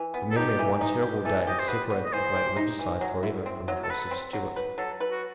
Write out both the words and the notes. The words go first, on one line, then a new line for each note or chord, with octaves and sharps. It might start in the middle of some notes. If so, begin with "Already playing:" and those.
The memory of one terrible day separated the great regicide for ever from the House of Stuart.
Already playing: E3
B3
A4
D#4 G4
E3
D#4
G4
E3 A4
G4 D#5
C5
B3 B4
B3
D#5
E3 C5
G4
D#4
E3
F#3
E4
C4
F#3
A4
F#3 B4
C4
F#3
B4
F#3 A4
B4
F#4